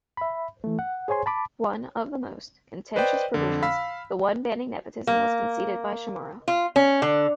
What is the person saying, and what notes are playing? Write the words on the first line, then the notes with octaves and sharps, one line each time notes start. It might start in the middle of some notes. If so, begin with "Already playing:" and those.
One of the most contentious provisions, the one banning nepotism was conceded by Chamorro.
E5 B5
E3 A3
F#5
G#4 C5 C#5 G#5 C6
A5 B5 D6
B4 C5 D5 D#5 G5
F2 D3
F5 B5 E6 B6
A#3
F4
C#4
D3